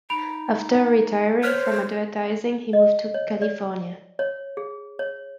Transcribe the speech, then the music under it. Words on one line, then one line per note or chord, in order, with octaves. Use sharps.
After retiring from advertising, he moved to California.
D#4 B5 D7 F7
C5 C#5 F6 F#6 B6
D#5
C#5
D5
C#5
G#4
C#5